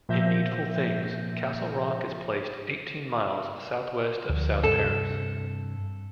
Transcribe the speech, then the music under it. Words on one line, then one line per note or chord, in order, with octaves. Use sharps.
In Needful Things, Castle Rock is placed eighteen miles southwest of South Paris.
A#2 F3 E5 G6 A#6
D2 F3
G2 C3 A4